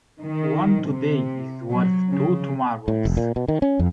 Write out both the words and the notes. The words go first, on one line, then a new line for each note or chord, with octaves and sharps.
One today is worth two tomorrows.
D#3
C3
F#3
C#3
A2
F1
A#2
B2
D#3
C#4
F2